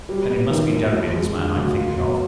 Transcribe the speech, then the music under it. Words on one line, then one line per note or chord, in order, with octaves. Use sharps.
Then it must be Derebin's man I am thinking of.
G3
B3
D#3
D#2
F3
G#3
D3
D2
F4
B2